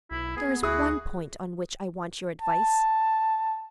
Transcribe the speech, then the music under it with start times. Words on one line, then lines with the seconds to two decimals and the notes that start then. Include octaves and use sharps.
There is one point on which I want your advice.
0.11 B1 E4
0.37 B3 G#4
0.63 D2 E4 F#4 G#4 D#6
2.42 A5